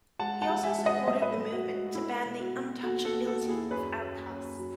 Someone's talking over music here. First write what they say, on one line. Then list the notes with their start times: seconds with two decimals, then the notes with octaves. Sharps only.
He also supported the movement to ban the 'untouchability of outcasts'.
0.19 G#3 F#5 A5
0.42 F#5 A5
0.49 G#3
0.63 E5 G#5
0.78 G#3
0.85 D#5 F#5
1.07 A2 D#5
1.15 E5
1.22 B4 D#5
1.30 A4 C#5
1.38 A2
1.52 F#4
1.67 G#3
1.73 F#4
1.87 F#4
1.95 A3 E4
2.25 B2
2.40 F#4
2.54 B2
2.83 D#2 F#4 A4
3.05 F#4 A4
3.13 D#2
3.27 F#4 A4
3.42 D#2
3.49 E4 G#4
3.71 F#2 G#4 B4
4.00 F#2
4.30 F#2
4.59 F#3